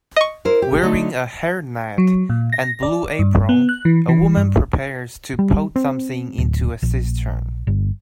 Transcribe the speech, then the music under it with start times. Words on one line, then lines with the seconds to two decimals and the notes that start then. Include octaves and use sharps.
Wearing a hairnet and blue apron a woman prepares to pout something into a cistern.
0.16 D#5 C#6
0.45 E4 A#4 C5
0.62 G4
0.82 D3 A3 D#4
1.98 F#3
2.29 A#2
2.53 A#6
2.83 D5
3.19 G2
3.49 B3
3.69 F#6
3.85 E3
4.09 E3
4.37 G2
5.39 G3
5.76 C4
6.38 D1
6.82 A#1
7.67 G1